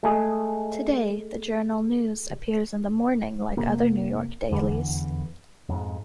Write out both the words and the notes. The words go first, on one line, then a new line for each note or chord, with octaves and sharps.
Today, "The Journal News" appears in the morning like other New York dailies.
G#3 A3 G#4
F1 C3 A#3
F1 E2 D3 E3
F2 G#2